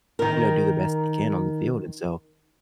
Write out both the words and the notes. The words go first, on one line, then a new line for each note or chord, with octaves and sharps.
you know, do the best they can on the field and so,
D#3 A#4